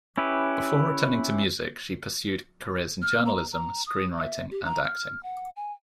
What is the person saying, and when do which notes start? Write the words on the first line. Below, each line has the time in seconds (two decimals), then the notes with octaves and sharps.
Before returning to music, she pursued careers in journalism, screenwriting and acting.
0.18 C#4 E4 G4 B4
3.02 F6
3.26 A#5
3.52 A#5
3.87 D#6
4.18 E5
4.51 G4
4.65 A#5
4.84 F6
5.23 F#5
5.56 G#5